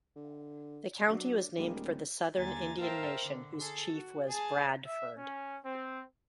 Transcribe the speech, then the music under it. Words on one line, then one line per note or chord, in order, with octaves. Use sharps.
The county was named for the southern Indian Nation whose chief was "Bradford".
D3
F#3 D4
D1 G3 G#3 A#3
D#2 D3 G#5 A#5 A6
A#4 C5 E5 F5 G5 A5
D3
G#4 A4
F#4
G#4 G#5 A5
E5
C#4
C4